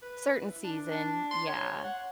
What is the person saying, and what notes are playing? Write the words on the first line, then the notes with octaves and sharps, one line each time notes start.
Certain season, yeah.
B4
E4
D4
D4
C6
C#5
F#5